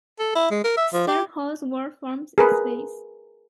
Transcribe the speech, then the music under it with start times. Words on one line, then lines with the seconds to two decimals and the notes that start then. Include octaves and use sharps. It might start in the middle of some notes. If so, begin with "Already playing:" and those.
Sternhold's work forms its base.
0.19 A4
0.35 E4
0.51 G#3
0.64 A#4
0.77 E5
0.93 F3
1.07 G4
2.38 G#4 A#4 B4